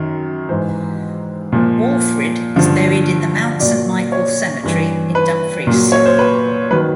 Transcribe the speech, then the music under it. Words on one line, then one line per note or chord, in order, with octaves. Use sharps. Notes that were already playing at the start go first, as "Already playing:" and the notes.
Walfrid is buried in the Mount Saint Michael Cemetery in Dumfries.
Already playing: F#2 D#3
G#2 E3 C5
A#2 F3
G2 D3 F3
A#2 F#3 D5
C#5
G2 E3
B4
A#2 F#3
C#5
C5
B4
D#3 F#3 B4